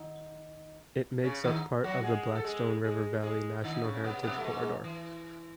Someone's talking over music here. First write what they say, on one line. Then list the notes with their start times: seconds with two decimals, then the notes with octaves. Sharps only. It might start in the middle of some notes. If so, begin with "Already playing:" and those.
It makes up part of the Blackstone River Valley National Heritage Corridor.
Already playing: D#3 D#4
1.24 C#3 C#4
1.44 D#3 D#4
1.84 F#3 F#4
2.04 G#3 G#4
2.35 A4
2.44 G#3 G#4
2.84 G#3 G#4
3.23 G#3 G#4
3.64 D#3 D#4
3.74 D#4
3.84 C#3 C#4
3.94 C#4
4.04 B2 B3
4.23 B2 B3
4.38 A3
4.44 G#2 G#3
4.84 E3